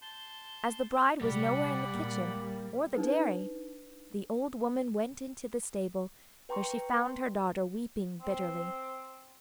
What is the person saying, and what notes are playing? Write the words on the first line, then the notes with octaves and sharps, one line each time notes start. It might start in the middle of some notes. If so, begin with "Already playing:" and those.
As the bride was nowhere in the kitchen or the dairy, the old woman went into the stable, where she found her daughter weeping bitterly.
A5 C6 G6
A#1 C3 G3 D4 D5 F#5 B5 C#7
A#2 A#3
D4 D#4 B4
B4 G5 A#5 C6 C#6
C4